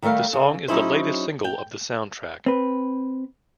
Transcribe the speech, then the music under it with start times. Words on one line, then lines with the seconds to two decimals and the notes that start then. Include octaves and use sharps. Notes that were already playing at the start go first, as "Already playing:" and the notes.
The song is the latest single of the soundtrack.
0.02 D#3 G3 A3 A#4 F5
0.33 C#3
0.68 F#3 C#4 D#4 E4 G#4 C5
1.44 G5
2.46 C4 B4